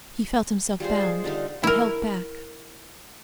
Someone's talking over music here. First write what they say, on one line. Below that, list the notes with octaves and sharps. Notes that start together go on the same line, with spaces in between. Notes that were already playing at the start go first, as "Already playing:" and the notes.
He felt himself bound and held back.
G3 F4 G#4 C5
G#3
D3 G3 D#4 F4
E4 A#4